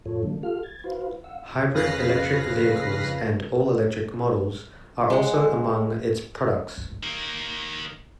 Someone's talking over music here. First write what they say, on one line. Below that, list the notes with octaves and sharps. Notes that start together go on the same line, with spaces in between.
Hybrid electric vehicles and all-electric models are also among its products.
F2 A2 F4 A4 C#5
D3 D#3 F#3 G#3 A#3 D4
F4 G4 A4 F5 F6
G#6 A6
E4 F#4 B4 C5 F5
F5 F#5 E6
F2 C#3 B4 F5 A#6 C7
G#3 F#5
D#3 A#3